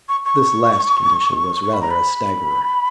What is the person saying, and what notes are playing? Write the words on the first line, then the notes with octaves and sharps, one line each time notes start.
This last condition was rather a staggerer.
C#6
C#6
C#6
B5
A#5
B5